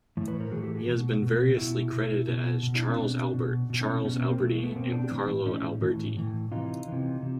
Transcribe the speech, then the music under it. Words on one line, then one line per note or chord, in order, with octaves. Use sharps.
He has been variously credited as "Charles Albert", "Charles Alberty" and "Carlo Alberti".
A2 E3
B4 C#5
A#4 C5
A2 E3 F#4 G#4
G4 A4
F#4 G#4
B2
B2
B2 E4 F#4
B2
B2
B2
D4 E4
C4 D4
B2
B2
B2
C#4 D#4
C4
B2 B3 C#4
C#4
A#3 C4
B2 A3 B3
G#3 A#3
A3 B3
B2 A#3 C4
C4 D4
A2 E3
A2 E3 C#4 D#4
A2 E3
A2 E3
C3 E3 D#4 F4
C3 E3
C3